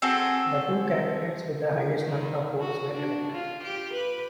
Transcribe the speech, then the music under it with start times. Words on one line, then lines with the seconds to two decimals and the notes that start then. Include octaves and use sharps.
The two candidates with the highest number of votes were elected.
0.02 C4 F#4 G#4 A4
2.05 D#3
2.60 F#4
2.94 D4
3.33 F4
3.64 G4
3.94 B4